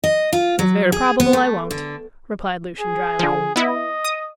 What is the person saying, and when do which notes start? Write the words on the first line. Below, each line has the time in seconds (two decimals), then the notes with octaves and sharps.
"It is very probable I won't," replied Lucian drily.
0.04 D#5
0.33 F4
0.59 F#3
0.92 G#4
1.20 B3
1.33 A3
1.71 D3
2.80 G#4
3.19 D3 F3
3.56 B3 E4 D#5
4.05 D#6